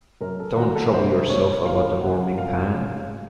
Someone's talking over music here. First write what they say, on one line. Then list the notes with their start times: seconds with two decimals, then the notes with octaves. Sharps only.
Don’t trouble yourself about the warming-pan.
0.21 F#2 A#4
0.40 A4
0.57 D#3 F#4
0.75 A4
0.93 C2 C5
1.29 A#2 C#5
1.65 C#2 F5
2.01 C#3 F#5
2.38 F2 F5
2.74 C#3